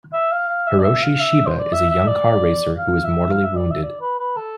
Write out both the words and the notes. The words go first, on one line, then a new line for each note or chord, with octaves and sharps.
Hiroshi Shiba is a young car racer who is mortally wounded.
E5
F5
F5
E5
D5
E5
F5
E5
C5
D5
E5
E5
D5
F5
E5
F5
E5
D5
E5
D5
B4
B4
A4